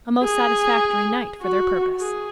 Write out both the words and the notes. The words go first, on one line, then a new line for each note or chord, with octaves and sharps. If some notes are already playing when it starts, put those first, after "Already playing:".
A most satisfactory night for their purpose.
G#4
F#4
G#4